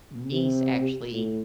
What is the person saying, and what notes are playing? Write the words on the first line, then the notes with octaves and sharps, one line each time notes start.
niece actually,
C3
A2